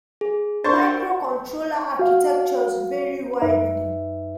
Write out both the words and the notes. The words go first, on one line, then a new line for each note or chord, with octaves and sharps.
Microcontroller architectures vary widely.
G#4
D4 A#4 C5 C6 C#6 A6
F#4 F5
F#2 D#4 B4 E5